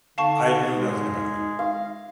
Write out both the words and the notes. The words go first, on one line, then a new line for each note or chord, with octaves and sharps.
I know nothing about it.
D3 D#4 F5 A5 C#6
G#3
F5